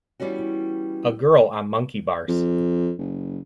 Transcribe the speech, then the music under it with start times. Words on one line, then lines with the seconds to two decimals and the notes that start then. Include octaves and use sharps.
A girl on monkey bars.
0.20 E3 F#3 G3 B3 C#4 F#4
2.28 F2
2.98 F#1